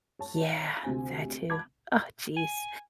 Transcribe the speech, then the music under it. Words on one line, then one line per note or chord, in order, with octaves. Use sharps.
Yeah, that too. Oh, jeez.
C#5 A5
D2 C3 C5 G#5
A5 B5 D6 G#6
G#5